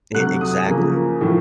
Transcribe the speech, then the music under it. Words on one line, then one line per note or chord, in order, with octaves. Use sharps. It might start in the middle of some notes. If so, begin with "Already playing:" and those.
E exactly,
C3 F#3 A3 F#6
D#6
C#3 F3 A#3
A2 F3 A3